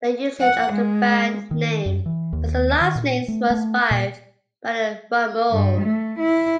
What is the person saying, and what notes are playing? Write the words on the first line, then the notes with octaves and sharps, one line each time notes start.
Their usage of the band name as their last names was inspired by the Ramones.
F#5
G#3
D#3
F#2
E3
D#2
D#3
A#2
A3
A3
A#2
G2
A3
E4